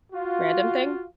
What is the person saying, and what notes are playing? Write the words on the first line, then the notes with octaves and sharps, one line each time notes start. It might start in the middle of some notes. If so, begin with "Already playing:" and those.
random thing?
F4 F#4